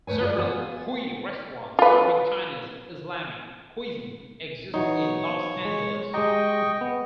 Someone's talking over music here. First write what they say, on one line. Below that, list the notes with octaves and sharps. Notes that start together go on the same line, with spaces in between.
Several Hui restaurants serving Chinese Islamic cuisine exist in Los Angeles.
D2 A3 B4 C#5 G#5
F4 G#4 D5
B3 F4 F#5 G#5
F4 B4
E3 F#3 D#4 C#5 C#6
G#3
G#3 G4 D#5 G5 A#5 C#6
B3